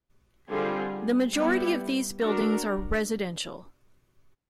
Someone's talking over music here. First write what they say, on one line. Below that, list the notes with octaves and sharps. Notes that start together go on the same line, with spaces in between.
The majority of these buildings are residential.
D3 G3 C4 F4 G#4
G3 B3 E4
D4 F#4 A#4